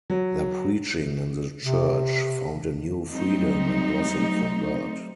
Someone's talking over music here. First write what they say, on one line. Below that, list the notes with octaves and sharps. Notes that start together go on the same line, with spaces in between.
Their preaching, and the Church, found a new freedom and blessing from God.
F#3
C3
F#3 G3 A3 C4 D#4